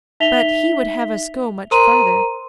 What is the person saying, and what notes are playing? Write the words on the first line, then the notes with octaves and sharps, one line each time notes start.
But he would have us go much further.
D#4 E5 B6 F7 G7
A#4 C5 A#5 C6 D#7